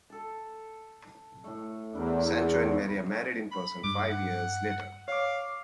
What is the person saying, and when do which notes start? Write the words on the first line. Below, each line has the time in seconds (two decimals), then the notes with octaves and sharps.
Sancho and Maria married in person five years later.
0.10 A4 A5
1.44 A2 A3
1.93 E2 D4 E4 A#4
3.52 B5
3.84 G2 D6
4.11 F#5
5.08 C#5 F5 D6